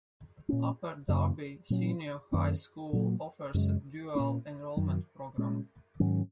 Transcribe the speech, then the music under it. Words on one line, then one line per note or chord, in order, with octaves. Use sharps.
Upper Darby Senior High School offers a dual enrollment program.
A#2 A#3 C#4
F#2 C#3 A#3 C#4
A#2 F#3 C#4
F#2 D#3 A#3 C#4
A#2 F#3 A#3
F#2 C#3 G#3
A#2 A#3 C#4
F#2 D#3 F#3
A#2 G#3 C#4
G#2 D#3 F#3 C#4